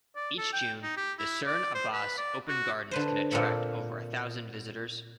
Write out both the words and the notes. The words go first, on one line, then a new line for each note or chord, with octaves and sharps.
Each June, the Cerne Abbas Open Gardens can attract over a thousand visitors.
D5
A4
G5
D#4
G4
E4
D5
C5
B4
D5
F#4
D3 B4 C5
A#2 A#3 C4 A4 B5